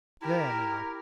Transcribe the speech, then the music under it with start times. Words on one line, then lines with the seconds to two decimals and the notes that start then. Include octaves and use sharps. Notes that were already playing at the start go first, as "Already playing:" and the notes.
'There now.
0.22 E4 G4 A#4